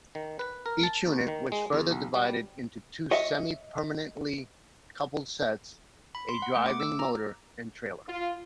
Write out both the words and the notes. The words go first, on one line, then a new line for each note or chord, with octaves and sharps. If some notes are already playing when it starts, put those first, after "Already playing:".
Each unit was further divided into two semi-permanently-coupled sets, a driving motor and trailer.
D#3
B4
A#4
A5
D#2
D#3
G#3
E2
B1
G3
C#5 D#5 E5
B5
C6
F#5
A3
D6
E6
A#5
F4